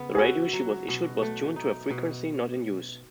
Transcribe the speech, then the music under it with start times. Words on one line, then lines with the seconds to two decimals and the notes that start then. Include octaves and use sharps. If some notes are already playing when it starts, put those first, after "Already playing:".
The radio she was issued was tuned to a frequency not in use.
Already playing: C#3 B3
0.15 G#4
0.18 E4 F#4
0.53 F#3
0.88 B2
1.22 A3
1.56 D#4
1.90 B2